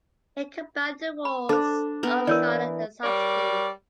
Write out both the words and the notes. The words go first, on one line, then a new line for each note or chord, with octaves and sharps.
He combined the roles of starter and substitute.
B5
D4 A4 C5
B3 A#4
E3 A#4 C#5 D5
G3 A#4 C#5 D5